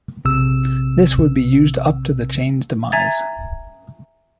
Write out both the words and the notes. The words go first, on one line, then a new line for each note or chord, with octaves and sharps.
This would be used up to the chain's demise.
A#1 C3 E6
E5 G#5 A#5 G#6 A6